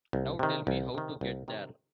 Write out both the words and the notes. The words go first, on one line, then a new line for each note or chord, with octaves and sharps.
Now tell me how to get there.
C2
C3 D#3
C2
C3 D#3
C2
C3 D#3